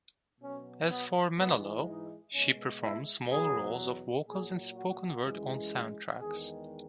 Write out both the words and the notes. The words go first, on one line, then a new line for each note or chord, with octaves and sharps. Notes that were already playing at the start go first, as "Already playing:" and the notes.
As for Menelaus, she performed small roles of vocals and spoken-word on soundtracks.
B2 F#3 C#4
B3
G#2 E3 G#3 B3
D#4
B2 G#3 C#4
E4
E2 B2 F#3 G#4
A#2 F#3 G#4
F#4
F#2 E3 G#3
E2 D#3 G#3 G#4